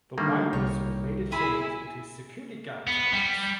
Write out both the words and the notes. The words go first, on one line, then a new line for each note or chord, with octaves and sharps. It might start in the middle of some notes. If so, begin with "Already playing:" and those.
The winders were later changed into security guard towers.
D3 D#3 G3 A3 A#3
C2 C#5
E4 G#4 G#5 B5
B3
G3